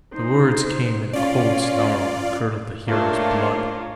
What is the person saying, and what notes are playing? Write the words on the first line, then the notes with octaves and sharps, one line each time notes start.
The words came in a cold snarl that curdled the hearer's blood.
D#4 C5
C#4 F4 D5
A3 A#3 D4 F4 C5 C#5